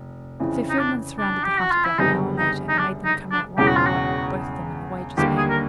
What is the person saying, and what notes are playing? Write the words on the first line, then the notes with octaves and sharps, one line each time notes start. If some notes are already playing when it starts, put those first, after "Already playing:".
Sir Ferdinand surrounded the hut about an hour later, and made them come out one by one--both of them and the wages man.
Already playing: F1
F2 C#3 E3
D#4
D4
D4
G4
F#4
F4
E4
F#1 F#2 D3 G3 B3 D#4
D#4
D#4
D4
D#4
D4
E1 E2 C#3 G4
F#4
F4
F#4
D#2 D3 G3 A#3 G4
G#4
A#4